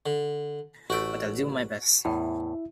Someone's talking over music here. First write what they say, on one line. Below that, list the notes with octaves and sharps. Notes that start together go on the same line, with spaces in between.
But I’ll do my best.
D3
A1 A3 F#4 G5
E2 A2 E4 E5